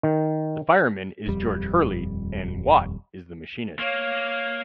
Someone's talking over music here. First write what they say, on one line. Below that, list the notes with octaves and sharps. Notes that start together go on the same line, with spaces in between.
The fireman is George Hurley and Watt is the machinist.
D#3
D#1 F2 G3
A#3 C#5 F5